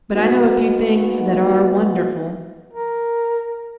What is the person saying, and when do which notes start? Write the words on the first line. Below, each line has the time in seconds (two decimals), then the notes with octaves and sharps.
But I know a few things that are wonderful.
0.13 G#3 A#3 B3 D#4 F#4
2.74 A#4